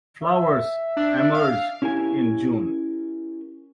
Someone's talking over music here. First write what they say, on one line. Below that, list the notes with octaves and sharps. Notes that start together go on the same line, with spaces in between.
Flowers emerge in June.
E5
D4
F5
C#4 E4 G4 A#4 G#5